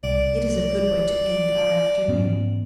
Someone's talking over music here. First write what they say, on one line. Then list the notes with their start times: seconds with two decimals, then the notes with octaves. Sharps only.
"It is a good way to end our afternoon."
0.04 C2 D5
2.08 G#2 B3 C#4